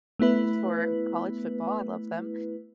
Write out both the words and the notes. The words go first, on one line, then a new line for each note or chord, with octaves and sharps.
for college football; I love them.
A3 B3 E4 B4